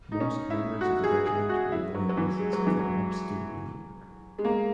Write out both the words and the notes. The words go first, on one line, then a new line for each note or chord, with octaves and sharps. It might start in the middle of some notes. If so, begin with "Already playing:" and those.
Most members of the regiment were Loyalists from upstate New York.
D#4
C#4
E4
F#4
G#4
G#4
F#4
E4
F#3
F#3
E3
G#3
F#3
E3
F#3
G#3
A#3